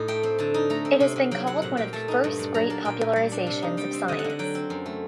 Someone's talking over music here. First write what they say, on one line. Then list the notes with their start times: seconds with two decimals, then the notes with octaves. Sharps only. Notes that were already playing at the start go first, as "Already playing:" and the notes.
It has been called one of the first great popularizations of science.
Already playing: A2 D#4
0.08 A3 G5
0.23 C4
0.38 D3 A5
0.54 D#4
0.70 A3 A#5
0.85 C4
1.00 C3
1.16 C3
1.31 F#3 G5
1.47 C4 F#5
1.62 A#2 F#5
1.77 A#2 G5
1.93 A3 A5
2.08 D#4
2.24 G2
2.39 G2
2.54 F#3 A#5
2.70 A#3 A5
2.85 A#2 G5
3.01 A#2
3.16 G3
3.32 D4
3.47 C3
3.62 D#4
3.77 G3 G5
3.93 C4
4.08 D3 D#5
4.19 F#5
4.24 D3
4.29 F#5
4.39 F#3 G5
4.55 C4
4.70 F#2
4.86 A3